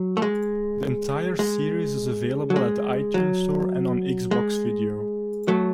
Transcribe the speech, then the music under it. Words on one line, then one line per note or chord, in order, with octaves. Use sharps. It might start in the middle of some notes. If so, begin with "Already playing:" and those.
The entire series is available at the iTunes Store and on Xbox Video.
Already playing: F#3
A3
G#3
G#3
F#3
G#3
F#3
G#3
F#3 A3